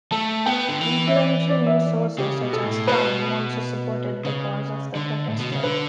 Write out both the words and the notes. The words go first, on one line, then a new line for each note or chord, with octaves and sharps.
Influential news sources such as "Time" also supported the cause of the protestors.
A3 A5
B3 G5
D3
E3
E5
D5
D5
E5
D5
C#3 G4
B2
A4
A2
B2 B4
C#3
D3
A2
B2
C#3
D3 B4